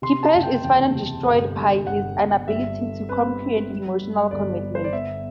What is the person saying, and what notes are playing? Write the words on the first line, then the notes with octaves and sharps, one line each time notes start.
Kepesh is finally destroyed by his inability to comprehend emotional commitment.
C3 C6
A5
F#1
G5
E2 G5
C3
G1
G2
G1 F#5
G1
G2 E5
D3
C4 B4
C4
G3
G2
G1 D5
G1
C5
D5
B3 E5